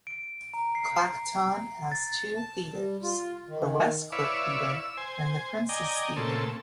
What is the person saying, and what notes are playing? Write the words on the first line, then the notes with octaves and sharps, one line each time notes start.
Clacton has two theatres, the West Cliff Theatre and the Princes Theatre.
D7
A#5
C7
A6
A5
G3
F4
D#3
D#3
E4 B4 C#5 D5 E5 F5
E6
C5 G#5
D5 D#5 G5 G#5 A#5
A#2 C#3 A3 C4 A4